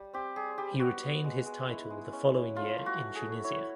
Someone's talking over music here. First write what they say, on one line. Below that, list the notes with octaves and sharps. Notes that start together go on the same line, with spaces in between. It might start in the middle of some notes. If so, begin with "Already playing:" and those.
He retained his title the following year in Tunisia.
Already playing: G3
C4 G4
G3 G#4
G3 G4
B3 F#4
B3
G#3
G#3
E4
G#3
C#4
E4
A3 F4
A3
F#4
A3
G#4
A3
E4 C#5